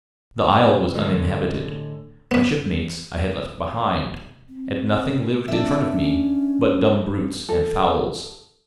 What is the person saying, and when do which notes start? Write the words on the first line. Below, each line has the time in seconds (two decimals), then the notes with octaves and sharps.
The isle was uninhabited; my shipmates I had left behind, and nothing lived in front of me but dumb brutes and fowls.
0.94 A2 D3 G#3 C#5 D#5
2.31 B3 B4
4.49 C4
5.48 C4 D4 E5
5.91 C#4
7.49 A4